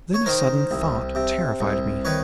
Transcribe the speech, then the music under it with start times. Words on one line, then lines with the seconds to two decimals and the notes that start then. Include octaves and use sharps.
Then a sudden thought terrified me.
0.14 C#5
0.26 D#3 A#4 C5
0.71 C2
1.15 C3
1.60 C2
2.05 D#3 B4 C#5